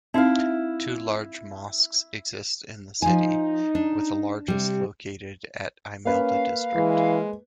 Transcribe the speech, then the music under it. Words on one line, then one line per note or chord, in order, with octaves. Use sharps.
Two large mosques exist in the city, with the largest located at Imelda District.
C4 D#4 E4 F5
F3 D#4 G#5
D4
C3 G3
A#3 C#4 B4 F5
E3 G#3